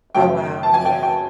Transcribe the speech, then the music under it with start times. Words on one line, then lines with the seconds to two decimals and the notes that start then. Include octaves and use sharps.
Oh, wow, yeah.
0.15 F#2 C#3 F#3 A3 G5
0.63 A5
0.74 G#5
0.85 G5
1.03 G5